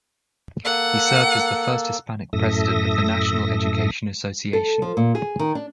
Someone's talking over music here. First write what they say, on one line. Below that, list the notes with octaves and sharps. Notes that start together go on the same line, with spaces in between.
He served as the first Hispanic president of the National Education Association.
A#3 A4 F#5
F#2 A2 A4 E5 D#6 A#6
A4
F3
A#2
G#4
D#3
D4